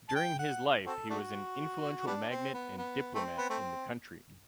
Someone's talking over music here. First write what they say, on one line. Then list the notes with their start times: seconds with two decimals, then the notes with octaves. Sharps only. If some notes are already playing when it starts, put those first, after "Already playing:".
During his life he was an influential magnate and diplomat in the country.
0.09 A5
0.15 G5
0.39 F#5
0.86 C4 F#4 A4
1.10 A3 D4 F#4
2.07 G3 B3 D4
2.30 C4
2.54 B3
2.78 B3
3.15 A3 C4
3.38 B3
3.50 A3 C4